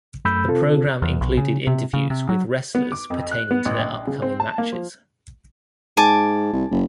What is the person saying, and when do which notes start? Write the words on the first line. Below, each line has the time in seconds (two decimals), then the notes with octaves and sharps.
The program included interviews with wrestlers pertaining to their upcoming matches.
0.25 F#2 A3 B5 E6 G6
0.47 C3 C4 F4 A4
1.02 E2
1.21 B1
1.37 C#3
1.67 C3
1.94 C#3
2.10 C3
2.29 F#3
2.75 B3
2.92 D6
3.10 F2
3.31 F#6
3.51 B3
3.65 A1
3.79 A#1
4.07 C#3
4.22 C4
4.40 A5
4.58 A#3
4.72 F3
5.97 G#2 G#5 A5 D6
6.53 C2
6.71 F#1